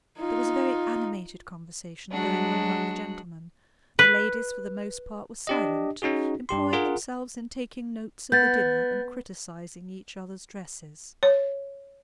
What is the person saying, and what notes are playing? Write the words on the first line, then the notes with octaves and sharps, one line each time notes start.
There was a very animated conversation going on among the gentlemen; the ladies, for the most part, were silent, employing themselves in taking notes of the dinner and criticising each other's dresses.
D#4 F4
F#3 G#3 D4 F#4
B4
D4 G4 D#5
C#4 D#4 F#4 G#4
G2 G4 C6
F4 G#4 A#4 F#5
B3 G6 A6
C#5